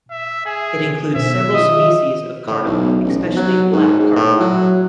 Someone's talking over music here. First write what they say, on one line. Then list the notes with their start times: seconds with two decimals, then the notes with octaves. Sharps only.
It includes several species of cardamom, especially black cardamom.
0.11 E5
0.45 G#4 G#5
1.15 B2 C5 E5
1.54 D#3 F4 D#5
2.47 A2
2.66 B1
3.04 A1
3.19 B1
3.37 F#3
3.73 G#2
4.00 G#2
4.16 A2
4.40 F#3